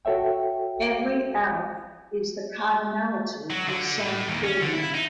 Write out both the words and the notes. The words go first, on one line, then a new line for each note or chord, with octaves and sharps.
Every aleph is the cardinality of some ordinal.
F#4 A4 C#5 E5 G5
F#3
D3
A2
D#2
C#4
D3
E4
D#4